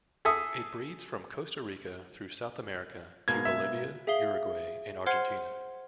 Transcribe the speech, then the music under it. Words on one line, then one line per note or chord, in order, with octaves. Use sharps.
It breeds from Costa Rica through South America to Bolivia, Uruguay, and Argentina.
G#4 A4 E5 D#6
G#2 B2 A#3 G#6
E5
G#4 E5 F5 D#6 C7 G7
C5 F#5 C6 F6 G#6 C7